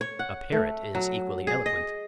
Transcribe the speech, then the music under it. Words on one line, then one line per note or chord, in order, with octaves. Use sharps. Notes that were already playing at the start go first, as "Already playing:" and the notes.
A parrot is equally eloquent.
C#5
F#5
A3
F#3
G#4
D#5